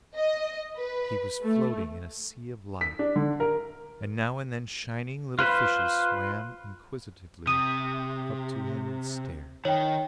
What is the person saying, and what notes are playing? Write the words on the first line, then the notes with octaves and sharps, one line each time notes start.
He was floating in a sea of light, and now and then shining little fishes swam inquisitively up to him and stared.
D#5
B4
A3
B6
D4
D3
A#4
F4 B4 C5 B5
C3 D#6 D#7
D#3 C#5 G5